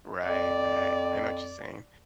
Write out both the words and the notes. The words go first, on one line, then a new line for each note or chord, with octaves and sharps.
Right, right, I know what you're saying.
F2 D5